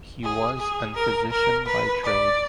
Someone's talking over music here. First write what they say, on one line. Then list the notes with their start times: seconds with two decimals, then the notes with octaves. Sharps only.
He was an physician by trade.
0.23 G#4
0.59 G#4
0.95 A#4
1.31 A#4
1.66 B4
2.03 D5